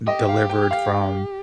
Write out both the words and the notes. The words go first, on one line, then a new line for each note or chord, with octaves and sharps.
delivered from,
G4 D#5
F5
G5
F5